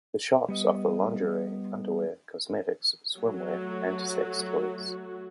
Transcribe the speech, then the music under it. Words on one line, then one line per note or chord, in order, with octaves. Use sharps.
The shops offer lingerie, underwear, cosmetics, swimwear and sex toys.
G3 B3 D#5
F#3 A3 F#4